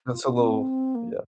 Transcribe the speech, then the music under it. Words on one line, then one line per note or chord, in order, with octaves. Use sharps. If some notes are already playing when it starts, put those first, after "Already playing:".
That's a little yeah.
F4
F4
C4
A#3